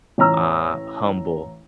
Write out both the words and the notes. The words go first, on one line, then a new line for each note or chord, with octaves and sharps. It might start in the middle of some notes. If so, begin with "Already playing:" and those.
uh, humble
A1 C#5 A#5 E6